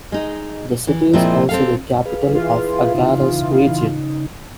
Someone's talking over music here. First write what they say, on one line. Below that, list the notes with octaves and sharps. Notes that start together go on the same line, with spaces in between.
The city is also the capital of the Agadez Region.
G#3 D#4
E3
A#2 F3 G#3 C4 E4
C4 A4 F5
G#4 B4 F5
E3 F4
C#3 D#4